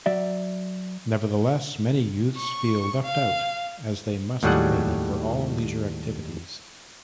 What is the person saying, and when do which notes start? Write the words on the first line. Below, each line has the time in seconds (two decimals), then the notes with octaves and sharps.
Nevertheless, many youths feel left out, as they must pay for all leisure activities.
0.06 F#3 D5 E5
2.37 C#6
3.05 F5
4.43 D#2 A2 F#3 G3 G#4 F#5